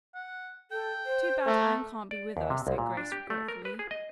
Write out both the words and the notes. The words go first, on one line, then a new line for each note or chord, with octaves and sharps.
"Too bad Anne can't be with us," said Grace regretfully.
F#5
A4 G5
C5
A3 A#4
D5
D#2
C3
C2
A#2
D4
G4
A3
A#4
B4
G#4
D#5